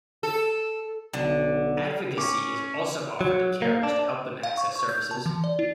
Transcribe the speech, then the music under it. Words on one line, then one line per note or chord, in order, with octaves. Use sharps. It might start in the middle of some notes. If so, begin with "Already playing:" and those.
Advocacy is also offered to carers to help them access services.
A4
B1 D3
C#4 C#6 D6
F#3
A#3
D4
F5
C#6
C#6
G6
A5
E3
D5
E4